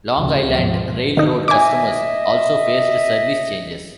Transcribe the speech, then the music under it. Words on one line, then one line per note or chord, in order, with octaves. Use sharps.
Long Island Rail Road customers also faced service changes.
D2 A2 C#3
G#2 B2 F3
D#3 D#4
D#5 E5 G#5 D6